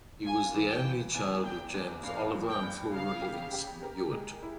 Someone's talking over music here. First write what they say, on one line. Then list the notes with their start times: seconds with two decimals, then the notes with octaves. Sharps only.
He was the only child of James Oliver and Flora Livingstone Ewart.
0.25 F4 G#5
0.54 E3
0.70 G5
0.84 E3
1.14 E2 G#5
1.43 E2 G5
1.73 E2 G5
2.03 G2 F5
2.34 F3
2.48 G5
2.62 G2
2.93 C#3 F5
3.22 G4
3.53 G4
3.83 A#4
4.13 G#3
4.42 E4